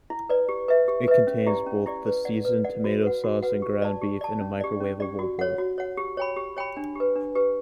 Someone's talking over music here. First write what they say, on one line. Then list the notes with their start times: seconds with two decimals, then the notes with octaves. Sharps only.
It contains both the seasoned tomato sauce and ground beef in a microwavable bowl.
0.10 E4
0.29 B4 D5
0.49 G4
0.68 B4 E5
0.88 G4
1.08 B4 E5
1.27 C#4
1.47 E4 G4 D5
1.66 C#4
1.86 E4 G4 D5
2.06 B4
2.25 D5 F#5
2.45 B4
2.64 D5 F#5
2.84 F#4
3.04 B4 F#5
3.24 F#4
3.43 B4 F#5
3.62 G4
3.82 D5 A5
4.02 G4
4.21 D5 A5
4.41 C#4
4.61 G4 D5
4.80 C#4
5.00 G4 D5
5.19 F#4
5.39 C#5 F#5
5.58 F#4
5.78 C#5 F#5
5.97 G4
6.17 C#5 G5 B5
6.37 G4
6.57 C#5 G5 B5
6.77 D4
6.95 G4 B4
7.16 D4
7.35 G4 B4